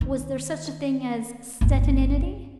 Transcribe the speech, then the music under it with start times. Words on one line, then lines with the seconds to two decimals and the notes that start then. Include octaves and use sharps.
Was there such a thing as Stettininity?
0.01 D#3
1.61 G1 D2